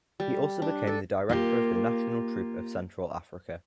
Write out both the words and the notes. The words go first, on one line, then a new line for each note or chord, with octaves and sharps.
He also became the director of the National Troupe of Central Africa.
G3
D4
A4
A#3 F4 G4